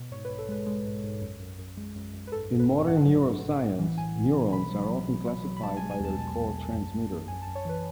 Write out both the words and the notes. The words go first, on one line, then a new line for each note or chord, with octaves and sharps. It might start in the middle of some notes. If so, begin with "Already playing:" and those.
In modern neuroscience, neurons are often classified by their cotransmitter.
Already playing: B2
G#2 C#5
B4
G#2
A4
G#3 B4
G#3
G#2
G#2
F#2
F#2
F#2
G#3
F#2
F#2
B4
G#2 A4
G#2
B4
G#2
G#2 F#5
F#3
G#2
A2
A2
E3
A2 G#5
A2
E3
B2 B5
F#3
F#3
B2
F#3
F#3
B5
B2 A5
G#5
G#3
G#5
E2
A5
B2 A5
E2
E2
F#2
F#2
F#2
F#2 G#5
A5
F#2
C#5
E3 B4